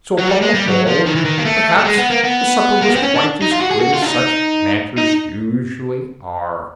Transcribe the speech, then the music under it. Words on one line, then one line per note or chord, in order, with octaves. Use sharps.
So upon the whole, perhaps, the supper was quite as good as such matters usually are.
F#3
G3
G#3
G3
F#3
F3
D#3
E3
D#3
A#3
A3
A3
G#3
B3
A#3
B3
A#3
B3
C4
C#4
D4
D#4
F4
F#4
G#4
F#4
F4
D4
D#4
D#4